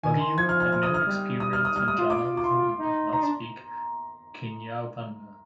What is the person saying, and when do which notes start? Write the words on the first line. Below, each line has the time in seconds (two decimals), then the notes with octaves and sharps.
Ruggiu had no experience in journalism and did not speak Kinyarwanda.
0.03 D#3 G#5
0.20 C6
0.38 F3 G#6
0.49 F6
0.60 F6
0.72 F6
0.83 D#6
0.94 F6
1.06 G3
1.40 D#6
1.53 F6
1.65 D#6
1.76 G3 F6
1.87 G3 D#6
1.99 F4
2.10 D6
2.37 D6
2.44 C6
2.79 D#4
3.13 D#4 A#5
3.23 D4